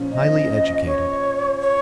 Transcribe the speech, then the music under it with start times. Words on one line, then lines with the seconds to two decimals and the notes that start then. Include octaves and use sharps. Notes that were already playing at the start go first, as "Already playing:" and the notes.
Highly educated.
Already playing: A#2 F3 C#4
0.12 D#5
0.87 C#5
1.61 C#5